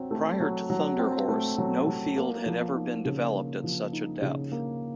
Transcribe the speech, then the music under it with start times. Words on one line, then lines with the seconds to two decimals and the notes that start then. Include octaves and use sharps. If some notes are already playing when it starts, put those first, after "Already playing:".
Prior to Thunder Horse, no field had ever been developed at such a depth.
Already playing: F#3 C4
0.11 A3
0.40 F#3
0.70 F#3
0.99 C4
1.28 A3
1.58 F#3
1.87 F#3
2.17 A#3
2.46 F3
2.75 D#4
3.05 C#3
3.34 A#3
3.64 F3
3.93 D#4
4.22 C#3
4.52 A#3